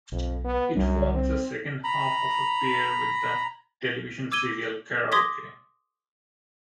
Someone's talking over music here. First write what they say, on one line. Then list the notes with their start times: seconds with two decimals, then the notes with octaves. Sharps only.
It forms the second half of a pair with the television serial "Karaoke".
0.12 B1 F2
0.44 B3
0.75 C2 F#2 G3 D4
1.14 C4
1.84 A#5 B5
4.32 D6 E6 G#6 D#7 G7
5.12 C6 D6 D#6 G#6 A#6 B6